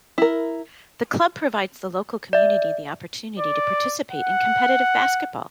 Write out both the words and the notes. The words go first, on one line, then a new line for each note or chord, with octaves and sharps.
The club provides the local community the opportunity to participate in competitive basketball.
E4 A#4
D5 E5
D5
F#5